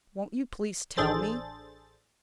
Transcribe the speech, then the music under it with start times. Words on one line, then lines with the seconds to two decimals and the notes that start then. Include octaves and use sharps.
"Won't you please tell me?"
0.97 A1 D4 G#4 A4 C5 A6